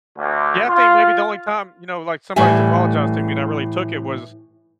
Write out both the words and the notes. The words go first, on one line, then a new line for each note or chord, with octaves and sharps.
Yeah, I think maybe the only time, you know, like, somebody's apologized to me and I really took it was
D2
F4
A2 E3 G3 A3 E5 G#5